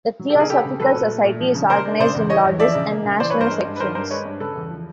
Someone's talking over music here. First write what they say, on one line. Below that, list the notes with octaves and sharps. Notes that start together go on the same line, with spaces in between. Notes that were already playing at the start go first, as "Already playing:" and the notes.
The Theosophical Society is organised in lodges and national sections.
F#3
G4 A4
C#3 G#4 A#4
B3 G4 A4
C#3
F#3 A4 B4
A#2
A3
A#2
F3
C#3
A#3 A#4 C5
D4
C#3 C5 D5
E2
E3 C#5 D#5
E2
F3 D5 E5
C#3
A#3
C#3
E3 C5 D5
B4 C#5
G2
A#4 C5
G#3
G2
B4
D#3 A#4 C5
G2 A#4 C5
G#3 B4 C#5
G2
C#3 A4 B4
E2
F3